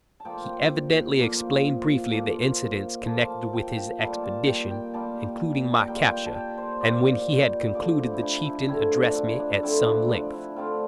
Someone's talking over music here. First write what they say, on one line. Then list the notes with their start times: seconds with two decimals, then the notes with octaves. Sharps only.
He evidently explained briefly the incidents connected with his expedition, including my capture, and when he had concluded the chieftain addressed me at some length.
0.20 A5
0.25 A#2 F3 A#3 G5
1.19 A#2 F3 A#3
2.12 A#2 F3 A#3
3.06 A#2 F3 A#3 A5
3.30 A5
3.53 G5
3.77 G5
4.00 A#2 G3 A#3 A5
4.24 A5
4.47 G5
4.71 G5
4.93 A#2 G3 A#3 A5
5.88 A#2 G3 A#3 G5
6.11 G5
6.26 A5
6.35 G5
6.58 C5
6.81 A#2 G3 A#3 D5
7.75 D3 F3 A3 C4 D5
7.98 E4
8.14 E4
8.22 D4
8.46 E4
8.68 D3 F3 A3 C4 E4
8.93 D4
9.15 E4
9.39 D4
9.63 D3 F3 A3 C4 E4
9.86 D4
10.09 D4
10.33 E4
10.56 D3 F3 A3 C4 F4